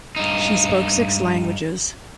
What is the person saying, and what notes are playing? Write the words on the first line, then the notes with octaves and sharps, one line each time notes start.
She spoke six languages.
G2 D#4